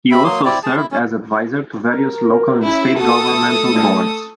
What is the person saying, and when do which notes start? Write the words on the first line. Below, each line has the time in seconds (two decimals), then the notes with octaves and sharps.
He also served as advisor to various local and state governmental boards.
0.11 C4 E5 B5
0.24 F#3 A#3 C6 D#6
0.45 C4 E4 D5
0.63 G#4 A5
0.76 E4
0.91 C#4
1.90 A#4
2.65 C#4 E4
2.99 F#4 A4 D#6
3.32 A3